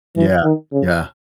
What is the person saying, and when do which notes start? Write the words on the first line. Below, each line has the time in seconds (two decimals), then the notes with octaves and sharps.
Yeah, yeah.
0.16 E3
0.44 D#3
0.72 C#3